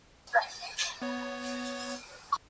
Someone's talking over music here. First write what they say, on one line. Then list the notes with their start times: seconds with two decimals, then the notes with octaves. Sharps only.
It is located in Manthani mandal.
1.02 B3 C#5